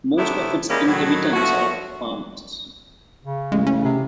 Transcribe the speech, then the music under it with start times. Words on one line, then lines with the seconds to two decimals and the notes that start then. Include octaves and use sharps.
Most of its inhabitants are farmers.
0.17 G#2 C3 A3 B3 D4 E4
0.70 D#3 E3 G3 G#3 A#3 C#4
0.87 A2 D#3 F#3
1.33 G2 F3 A3 F#4
3.25 C#3
3.52 A1 G#3
3.67 C#4
3.85 C3